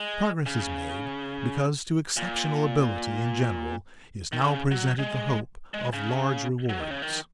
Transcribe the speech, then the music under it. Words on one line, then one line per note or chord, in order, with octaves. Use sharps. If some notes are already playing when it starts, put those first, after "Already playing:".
Progress is made because to exceptional ability in general is now presented the hope of large rewards.
Already playing: G#3
C#3
A#2
D#3
C#3
F#3
G#3
G#3
C#3
F#3
D#3
C#3
D#3